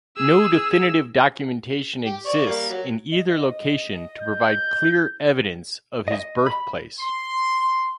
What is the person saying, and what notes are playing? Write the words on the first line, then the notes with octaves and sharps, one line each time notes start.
No definitive documentation exists in either location to provide clear evidence of his birthplace.
G#4 E6
G4
D5 C#6
G3 A#3
F#3
D#5
G6
D#5
B5
C6